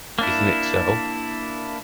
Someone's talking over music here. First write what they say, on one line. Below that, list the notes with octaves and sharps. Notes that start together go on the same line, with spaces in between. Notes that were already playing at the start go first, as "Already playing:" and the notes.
Isn’t it so?
A#3 D4 E4